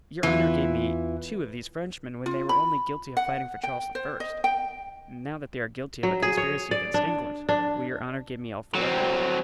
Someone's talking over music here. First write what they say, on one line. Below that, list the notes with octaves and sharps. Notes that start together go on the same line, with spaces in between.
"Your honor gave me two of these Frenchmen when they were only guilty of fighting for Charles I. Now that they are guilty of a conspiracy against England will your honor give me all four of them?"
E2 E3 F4
F4
B5
F#5
G5
C5
D#5
G5
F#3
G#4
C#5
D5
D4
D4
F#3 C4